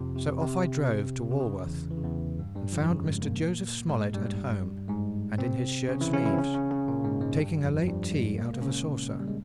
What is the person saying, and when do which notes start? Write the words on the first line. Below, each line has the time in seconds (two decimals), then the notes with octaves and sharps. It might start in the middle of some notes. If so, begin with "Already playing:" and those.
So off I drove to Walworth, and found Mr. Joseph Smollet at home and in his shirtsleeves, taking a late tea out of a saucer.
Already playing: F2 C3 F3
0.15 C3
0.41 C3
1.31 C3
1.40 C#3
1.65 E2 E3
1.91 E3
1.97 C#3
2.04 E2 E3
2.39 G2 G3
2.56 G2 G3
2.73 F2 F3
2.90 C#3
3.06 G#2 G#3
3.22 A#2 A#3
3.89 G#2 G#3
4.14 G2 G3
4.88 G#2 G#3
5.38 C3 C4
5.89 C#3 C#4
6.01 E3 E4
6.13 C#3 C#4
6.25 E3 E4
6.34 C4
6.38 C#3 C#4
6.54 C#3 C#4
6.71 C#3 C#4
6.88 A#2 A#3
7.04 G#2 G#3
7.21 G#2 G#3
7.37 G2 G3
7.62 F2 F3
7.81 F3
7.87 G2 G3
8.12 G#2 G#3
8.38 A#3
8.45 G#3
8.53 A#2 A#3
8.62 C#3 C#4
9.20 G3
9.28 G#3